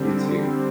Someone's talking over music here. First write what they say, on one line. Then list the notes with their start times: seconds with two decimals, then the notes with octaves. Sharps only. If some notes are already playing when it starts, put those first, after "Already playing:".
You, too.
Already playing: D3 G3 C4